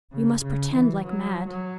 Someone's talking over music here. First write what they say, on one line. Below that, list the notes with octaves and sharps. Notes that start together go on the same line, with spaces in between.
We must pretend like mad.
C#3
C#3
E3
F#3
F#3